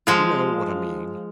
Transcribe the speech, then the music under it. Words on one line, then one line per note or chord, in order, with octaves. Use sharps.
You know what I mean.
F3 G#3 F4